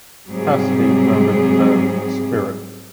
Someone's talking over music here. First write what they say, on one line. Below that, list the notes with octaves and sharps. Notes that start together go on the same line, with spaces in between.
Cassidy founded the band Spirit.
G#2 C3 F#3 G3 C4 G#4